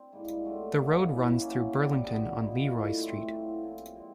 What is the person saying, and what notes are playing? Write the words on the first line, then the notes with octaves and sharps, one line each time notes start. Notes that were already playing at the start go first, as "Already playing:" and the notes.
The road runs through Burlington on Leroy Street.
Already playing: C4 D4
G#2 E3 G3 A#3
F#3 A3 D4 F4
A#3 D#4 F#4 B4
A#3 C#4 E4
F#3 A#3 C#4 E4
F#3 B3 D4 G4
A#2 F#3 B3
A#2 F#3 A#3 D#4
G2 E3 A3
A2 E3 A3 C4
A2 F#3 A#3
C3 F3 A#3
A#2 F3 G#3 C4